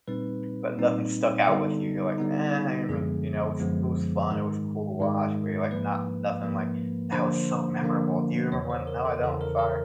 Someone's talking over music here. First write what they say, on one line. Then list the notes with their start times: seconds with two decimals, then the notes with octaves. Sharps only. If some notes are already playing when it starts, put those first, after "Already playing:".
But nothing stuck out with you. You're like, "Eh, I mean, you know, if it was fun, it was cool to watch," but you're like, not nothing like, "That was so memorable. Do you remember when" "No, I don't. I'm sorry."
0.08 A#2 G3 C4 D#4 B4
0.78 A#2 G3 C4 D#4
1.48 D3 G3 B3 D#4 A4
2.18 D3 G3 B3 D#4
2.89 F#2 D3 F3 G#3 B3 G#4
3.60 F#2 D3 F3 G#3 B3
4.30 G#2 D#3 G#3
5.00 G#2 D#3 G#3
5.71 G#2 F3 A#3 B4
6.41 G#2 F3 A#3
7.12 D3 F3 A#3 D4 C5
7.82 D3 F3 A#3 D4
8.52 E2 C#3 E3 C#5
8.70 C5
8.87 A#4
9.05 A4
9.23 E2 C#3 E3 A4
9.41 A#4
9.59 A#4